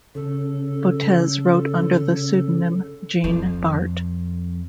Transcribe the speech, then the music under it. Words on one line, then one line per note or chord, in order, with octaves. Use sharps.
Botez wrote under the pseudonym Jean Bart.
C#3 A4
F2